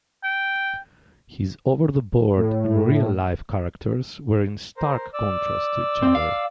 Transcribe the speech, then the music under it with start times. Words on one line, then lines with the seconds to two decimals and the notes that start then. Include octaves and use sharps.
His over-the-board and real-life characters were in stark contrast to each other.
0.24 G5
2.37 A2
4.77 A#4 C5
5.13 D5 E6
6.02 C4
6.15 F5